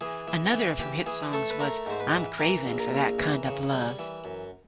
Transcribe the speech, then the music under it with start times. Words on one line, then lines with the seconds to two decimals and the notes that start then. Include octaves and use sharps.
Another of her hit songs was "I'm Cravin' for that Kind of Love".
0.01 E3 G#4
0.27 E3
0.53 E3
0.79 E3 G4
1.06 E3 G#4
1.33 A3 A4
1.50 B4
1.60 A3 A#4
1.86 G#2 C5
2.00 B4
2.12 E3
2.39 E3 A#4
2.66 A#1
2.79 A#4
2.93 A#1
3.19 E3
3.46 C#3
3.72 G3
3.99 E3
4.25 F#2